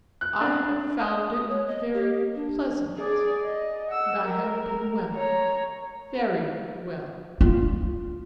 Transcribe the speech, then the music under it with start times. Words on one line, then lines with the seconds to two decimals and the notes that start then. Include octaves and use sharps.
I have found it very pleasant--and I have been well--very well.
0.21 F#6
0.41 D4
0.99 D#6
1.49 C#5
1.68 D#5
1.94 G4
2.35 D4
2.97 G#4 D5
3.43 D#5
3.91 F#5 E6
4.24 A#4
5.14 C#5 A#5
7.41 F4